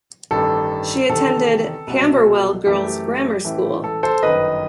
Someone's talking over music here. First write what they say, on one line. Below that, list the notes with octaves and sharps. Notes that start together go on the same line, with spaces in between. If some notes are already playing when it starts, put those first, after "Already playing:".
She attended Camberwell Girls Grammar School.
A1 G2 D#3 A4
E2 C3 D#3 A4
C2 B2 F#3
F#2 E3 A3 G4
A1 A2 E3 A3
A4
A4 C5
G1 F#2 D#3 B4 D#5